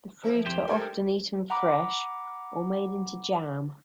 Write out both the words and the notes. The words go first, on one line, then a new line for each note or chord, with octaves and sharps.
The fruit are often eaten fresh, or made into jam.
F3 E4 A#4
F2 G4 C5 C6
G2 G3 A3 A#4 G#6
F#5 A#5 B5 D6